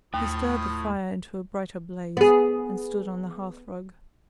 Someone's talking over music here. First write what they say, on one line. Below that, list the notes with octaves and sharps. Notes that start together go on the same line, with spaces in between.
He stirred the fire into a brighter blaze, and stood on the hearthrug.
D#2 A2 F3 D#6
B3 G#4